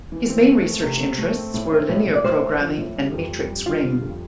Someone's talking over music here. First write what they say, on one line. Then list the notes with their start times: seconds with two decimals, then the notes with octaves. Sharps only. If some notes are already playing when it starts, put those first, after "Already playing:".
His main research interests were linear programming and matrix ring.
0.12 E3
0.30 C4
0.47 A3
0.65 A3
0.83 C3
1.00 C4
1.18 A3
1.35 C4
1.54 A2
1.72 C4
1.89 A2
2.06 A2
2.15 D5
2.24 A2 C5
2.42 C4
2.60 F3
2.77 A2
2.96 G3
3.13 F2
3.30 G3
3.49 G3
3.66 D3 F4
3.84 G3
4.02 F2